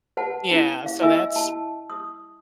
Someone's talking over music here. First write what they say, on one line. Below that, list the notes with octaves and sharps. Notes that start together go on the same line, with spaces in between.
Yeah, so, that's,
B4 F#5 A5
C#4 E4 G5
F5
E4 D#5 E5 G#5 E6
A5
D#6